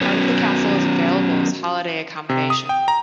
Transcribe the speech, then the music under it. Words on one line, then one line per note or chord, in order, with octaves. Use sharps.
Part of the castle is available as holiday accommodation.
F#3 B3 C#4
C3
D#6
G5
A#5